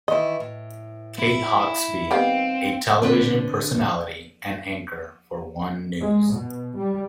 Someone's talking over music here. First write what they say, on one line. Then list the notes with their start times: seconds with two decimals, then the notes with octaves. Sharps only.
Kate Hawkesby, a television personality and anchor for One News.
0.08 D#3 E3 E4 D#5
0.40 A2
1.19 E4
2.11 D#3 G3 B3 C4 F5 G5
3.02 D3 C4 B4
6.01 G#3
6.32 B2
6.77 G3